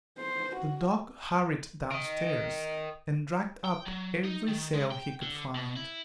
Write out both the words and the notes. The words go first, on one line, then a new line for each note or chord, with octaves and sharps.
The dog hurried downstairs and dragged up every sail he could find.
C5
F#4
A#4 D#5
G5
F#3
D#4
D#3
G#3
G5
D3
B2
E4